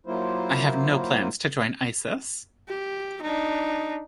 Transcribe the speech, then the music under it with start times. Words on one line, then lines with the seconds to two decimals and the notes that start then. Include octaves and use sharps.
I have no plans to join Isis.
0.06 F#3 A#3 E4 F4 C5
2.69 G4
3.22 D4 D#4